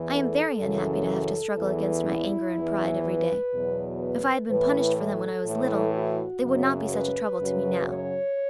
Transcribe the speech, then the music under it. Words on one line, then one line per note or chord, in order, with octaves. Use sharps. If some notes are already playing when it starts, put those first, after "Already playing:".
"I am very unhappy to have to struggle against my anger and pride every day; if I had been punished for them when I was little they would not be such a trouble to me now."
Already playing: E2 E3
A4
F#2 C#3 E3
E2 E3
E4
E2 E3
B4
E2 B2 F#3
B4
A2 E3 B4
A4
A2 E3
F#4
F#2 C#3 F#3
B4
F#2 C#3 F#3
C#5